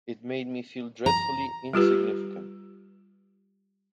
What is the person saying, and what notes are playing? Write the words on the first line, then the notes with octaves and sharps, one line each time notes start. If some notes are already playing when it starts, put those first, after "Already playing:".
It made me feel dreadfully insignificant.
A#5
G3 F4 G4 B4